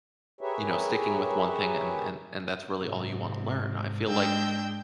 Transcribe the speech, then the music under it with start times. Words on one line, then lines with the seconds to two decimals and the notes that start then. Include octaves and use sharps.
you know, sticking with one thing and and and that's really all you wanna learn. I feel like
0.41 G4 G#4 A#4 B4 C#5 E5
2.81 G#2 C3
4.06 G#2 G#3 D4 G5 E6 G6